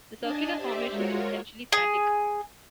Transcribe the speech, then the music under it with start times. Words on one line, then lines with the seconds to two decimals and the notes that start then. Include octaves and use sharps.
The circular formation is essentially static.
0.22 D4 D#5 G#5 A5
0.55 G4 C5 D5 E5
0.91 G#3 F4 F#4 A#4 C#5
1.73 G#4